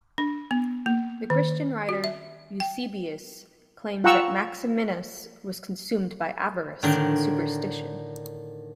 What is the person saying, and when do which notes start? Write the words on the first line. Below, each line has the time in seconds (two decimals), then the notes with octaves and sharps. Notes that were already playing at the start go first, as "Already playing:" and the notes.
The Christian writer Eusebius claims that Maximinus was consumed by avarice and superstition.
0.18 D4
0.51 B3
0.86 A#3
1.30 D#3
1.89 F#4
2.04 E5
2.60 G5
4.04 F4 F#5 G5 A#5 C#6 E6
6.83 A2 D3 D#3